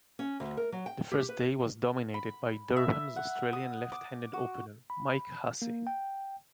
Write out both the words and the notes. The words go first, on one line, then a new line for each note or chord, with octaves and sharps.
The first day was dominated by Durham's Australian left-handed opener, Mike Hussey.
C#4
D2
A#4
F#3
G5
G4
B4
B5
E5
F#5
D#6
D6
F#4
B5
A#3
G5